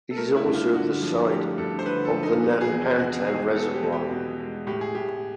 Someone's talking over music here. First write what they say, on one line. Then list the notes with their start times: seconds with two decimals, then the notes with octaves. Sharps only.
It is also the site of the Nanpantan Reservoir.
0.11 A4
0.17 A3 A#4
0.36 E4
0.45 G2
0.54 F4
0.73 D3 F#4
1.02 F3
1.29 A3 G4
1.58 G2 A4
1.79 C5
1.86 D3 B4
2.05 A4
2.14 F3
2.23 D#4
2.43 B3
2.61 G#4
2.71 E2
2.98 B2 F#4
3.26 G#3 G#4
3.55 B3 A4
3.74 G4
3.83 E2
3.93 G4
4.11 B2
4.40 G#3
4.67 A2 G4
4.81 G#4
4.95 A2 G4